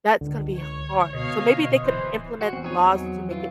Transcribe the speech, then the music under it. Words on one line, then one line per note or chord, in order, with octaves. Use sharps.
that's gonna be hard, so maybe they could implement laws to make it
C#2 D3
C#5
B2 B3 C#5 D#5 F5
D1 E3 C5
F#4
E2 C4
D#4 G#4 C#5
F#3
E3 F4